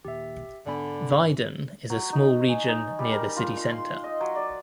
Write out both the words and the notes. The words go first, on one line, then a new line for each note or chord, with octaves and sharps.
Wieden is a small region near the city centre.
D#2 A#2 G4 E5
G#2 D3 B3 D5 G#5 B5
F#3
D#4
G#5
D#4
G3
A#4
F4
C6
C6
D#5
F#3
D5